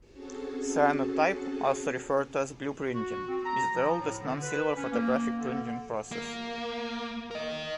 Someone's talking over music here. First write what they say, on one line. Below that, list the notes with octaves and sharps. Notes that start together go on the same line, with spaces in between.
Cyanotype, also referred to as "blueprinting", is the oldest non-silver photographic printing process.
C4 C#4 F#4 G#4 A4 A5
F#4
C4
A#5
F3
A2
D3
B4
C#4
A#3
D3
A#3
A#4 D#5